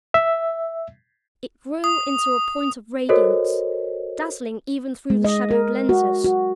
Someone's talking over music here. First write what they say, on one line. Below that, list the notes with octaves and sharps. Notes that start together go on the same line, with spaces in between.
It grew into a point of radiance, dazzling even through the shadowed lenses.
E5
D#6
F#4 A4 A#4 C5 C#5 D#5
G#3
D#5
A#4
F#4
F#4